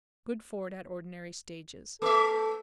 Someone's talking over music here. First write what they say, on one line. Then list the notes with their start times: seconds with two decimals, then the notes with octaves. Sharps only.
Good ford at ordinary stages.
2.02 A3 A4 E5